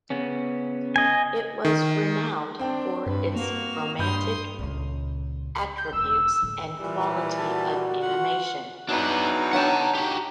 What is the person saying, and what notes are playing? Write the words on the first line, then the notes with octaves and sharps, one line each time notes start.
It was renowned for its romantic attributes and quality of animation.
C#3 B3 C#4
D#5 G#5
D#3
C4 D4 G5
G2 B4
A#3 F#4 F7
G2 B5 C6 D#6 G6
C#2 A#2
G6
E1 E2 E6
A2 D3
A#2 E3 G3
F#4 A5
F4 F#5
E2 B2 F#3 D4 D#4 B4
D4 C#5 F#5 G5 A5
F#4 G4